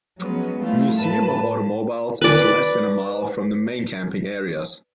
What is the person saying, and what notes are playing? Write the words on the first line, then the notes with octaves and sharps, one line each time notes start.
The Museum of Automobiles is less than a mile from the main camping areas.
F3 F#3 G#3 B3 C#4
G3 A3 E4 F4
A2 A#4 B4 A5
B4 D5